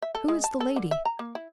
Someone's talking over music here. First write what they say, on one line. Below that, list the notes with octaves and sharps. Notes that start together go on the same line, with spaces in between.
"Who is the lady?"
E5
A4
G#3
A5
A4
D3
E5
A#5
A#3
E4